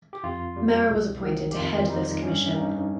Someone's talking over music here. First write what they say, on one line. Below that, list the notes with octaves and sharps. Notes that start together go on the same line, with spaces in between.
Mehra was appointed to head this commission.
G4
F2 F4
G3
C2
D#3
G4
F2 F4
G3 D#4
G2 C#4
G2 D#4